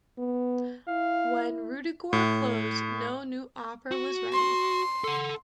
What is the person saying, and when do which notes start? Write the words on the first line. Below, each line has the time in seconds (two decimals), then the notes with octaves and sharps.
When "Ruddigore" closed, no new opera was ready.
0.18 B3
0.88 E4 F5
2.13 A2
3.91 F#4
4.33 C6
5.04 A4 F#5